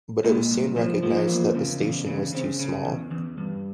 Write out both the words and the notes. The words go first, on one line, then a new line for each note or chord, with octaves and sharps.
But it was soon recognized that the station was too small.
A#2 G#3
C2
F3 A#3
F3 A#3
G#3
E2 A#3
C#3
E2
C#3
C#3 C4
C#3
E2
E2
G2